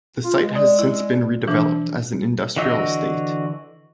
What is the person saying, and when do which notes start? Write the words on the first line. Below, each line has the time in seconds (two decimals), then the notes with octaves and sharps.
The site has since been redeveloped as an industrial estate.
0.24 F4
0.44 G#3
0.55 D5 D#6
0.79 E4 E6
1.47 B2 E3 F3 D4 F5 D6 E6
2.56 D3 E3 F#4 D#5 E6